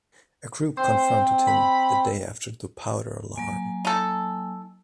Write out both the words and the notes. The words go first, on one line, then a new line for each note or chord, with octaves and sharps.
A group confronted him the day after the Powder Alarm.
C4 C5
B5
F#3 A#3 G#5
D#4 A4